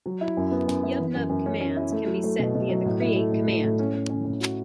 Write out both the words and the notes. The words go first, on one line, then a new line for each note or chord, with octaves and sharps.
YubNub commands can be set via the create command.
F#3
E4
F#2
B3
F#2
E4
E3
F#2
F#2
C#4
C#4
E4
A3
F#3
A3
B2
B2
F#3
A2
E4
A3
A2
A2
A2
C#4
C#4
C#4
C#4
F#4